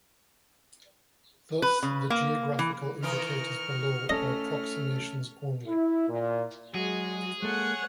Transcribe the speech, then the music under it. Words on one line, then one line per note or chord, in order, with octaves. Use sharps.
Thus, the geographical indicators below are approximations only.
B4
C#3
A#3
E3
D#3 E3 A#4 C#6 F6
A3 C#4 A4 D#5 F6
E4
A#2
F#3 G#3 F#4 G#4
G#3 A#3 A4 C#5 F#5